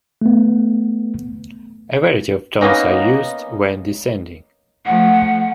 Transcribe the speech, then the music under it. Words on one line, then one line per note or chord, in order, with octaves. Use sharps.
A variety of turns are used, when descending.
A3 B3
A#3 B3 C#4 D#4
F3 A3 F#5